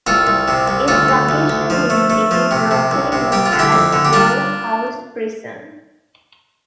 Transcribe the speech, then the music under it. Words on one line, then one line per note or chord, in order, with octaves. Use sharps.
Its location means it is locally known as "Bowhouse Prison".
C2 F4 A4
C2
C3
C2
D2 F4 A4
D2
D2
D2
F3
A3
A3
F3
C3
C3
C2
C3
G3 G4
F4
D3
E4 G4
F2
D3
G4
G3 D4 F4